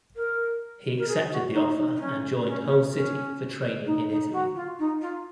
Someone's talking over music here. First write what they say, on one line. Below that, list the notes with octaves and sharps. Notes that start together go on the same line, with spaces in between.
He accepted the offer and joined Hull City for training in Italy.
A#4
A#4
G#4
F#4
D#4
D#4
D#4
C#4
C#4
C#4
C#4
D#4
D#4
F#4
F4
D#4
F4